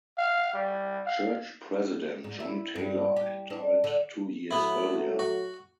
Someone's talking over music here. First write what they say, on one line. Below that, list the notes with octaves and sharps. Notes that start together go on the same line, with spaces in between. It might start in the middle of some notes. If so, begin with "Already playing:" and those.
Church president John Taylor had died two years earlier.
F5
G3
F5
G#2
E4
G2
G4
D4
D3
F#3 A3 B3 E4
F#4